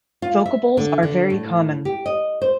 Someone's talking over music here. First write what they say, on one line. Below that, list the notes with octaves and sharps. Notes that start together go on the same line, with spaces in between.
Vocables are very common.
F4
E5
D3
D3
A2
G4
D#5
C5